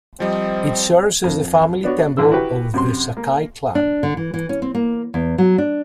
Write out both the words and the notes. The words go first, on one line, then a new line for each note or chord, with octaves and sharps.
It served as the family temple of the Sakai clan.
F3 G3 C4 D#5
F2
B3 D4 F#4 C#5
A1 D3 E3 E6
E4 F#4 G4 B4
F#2 C3 C6
A#3
D4
D3
E3
E3
C#4
C4
A#3
E2
F#3
D4